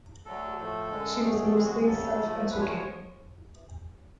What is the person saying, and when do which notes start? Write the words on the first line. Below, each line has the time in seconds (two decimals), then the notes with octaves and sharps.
She was mostly self-educated.
0.25 D2 D3 F#3 A4
0.57 A2 F3 A3 A4
0.89 F#2 D3 G#3
1.21 B2 F#3 A3 G#4
1.32 G#4
1.43 A4
1.53 F2 D3 G#3 G#4
1.65 F#4
1.76 G#4
1.86 D2 C#3 F#3 A4
2.18 G#2 F3 A3
2.50 D2 D3 F3 G#3 B4
2.61 C#5
2.72 C#5